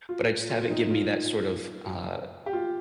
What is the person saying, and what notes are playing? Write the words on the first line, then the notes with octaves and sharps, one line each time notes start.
But I just have it give me that sort of, uh,
F4
F4
F4
D#4
F4
G4
F4